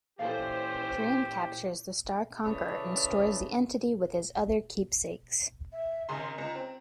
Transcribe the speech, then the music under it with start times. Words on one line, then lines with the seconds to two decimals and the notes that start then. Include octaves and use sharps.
Dream captures the Star Conqueror and stores the entity with his other keepsakes.
0.19 A#2 E3 C#4 G4 A4 C5 D5 F5
2.45 C#3 E3 A4 C#5 D5 B5
5.72 E5
6.09 G#1 C#3 A#5 C6
6.38 C#2
6.55 C4